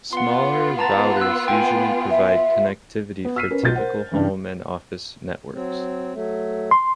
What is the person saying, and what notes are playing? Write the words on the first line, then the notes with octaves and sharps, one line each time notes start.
Smaller routers usually provide connectivity for typical home and office networks.
B3 F4 F#5 C6
A5 A#5 A6
E6 F#6
G5 G#5
E5
B3
E6 F6 B6 C7 D#7
C#4 A#4 B4
B1 B2 F4 G6 A6
A#4 C5 F#5
G2 C#3 E3
F#3 C4
F#3 A3
C6